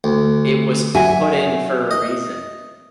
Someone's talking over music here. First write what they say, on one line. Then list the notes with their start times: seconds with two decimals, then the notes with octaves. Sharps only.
it was put in for a reason.
0.04 D2
0.95 F#3 E5 G#5
1.91 D#5